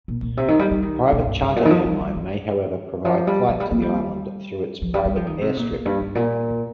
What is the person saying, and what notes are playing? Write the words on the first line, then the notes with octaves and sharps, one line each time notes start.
Private charter airline may however provide flight to the island through its private airstrip.
A#2
A#2
C3
D#3
G3
G3
D#3
A#2
G2
G2
A#2
D#3
F3
G3
G3
D#3
F3
G3
F3
G3
A#3
G3
F3
G3
G3
F3
D#3
C3
A#2
F2
G2
G2
A#2